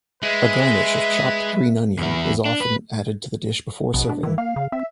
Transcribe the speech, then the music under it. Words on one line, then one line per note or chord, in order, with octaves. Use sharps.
A garnish of chopped green onion is often added to the dish before serving.
G#3 B4 E5
E2 E4
D4
B4
A#1 B2
D4
D#3 E3
A#3 F5
C#3
C4 E5